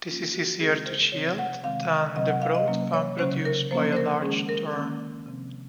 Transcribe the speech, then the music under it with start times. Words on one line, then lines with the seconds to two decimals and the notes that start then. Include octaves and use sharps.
This is easier to shield than the broad fan produced by a large turn.
0.08 F3 A#3 C#4 F4
0.34 F#4
0.60 C#3 G#3 C4 G#4
0.86 C5
1.12 C3 F3 C4 C#5
1.38 F#5
1.63 C3 D#3 G#3 C4 F5
2.16 C3 F#3 C4 D#5
2.28 F#5
2.42 F5
2.55 D#5
2.67 C3 F#3 A#3 C#4
2.94 C#5
3.19 C#3 F#3 C#4 C5
3.45 A#4
3.71 F3 A#3 C#4 C5
3.92 C5
3.96 A#4
4.22 D#3 G#3 C#4 G#4
4.49 A#4
4.74 D#3 A#3 C#4
5.26 C3 F3 C4